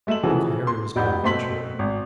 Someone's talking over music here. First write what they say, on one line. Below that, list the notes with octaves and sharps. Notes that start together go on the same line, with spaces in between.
Uncle Harry was no adventurer.
G#3 A3 E5 E7 F#7
C#3 E3 F3 F#4 G#4 A4
C6
F1 D#4 D5 F#5 B5 G6
B2 A3 C4 C6 B6 F#7
G#1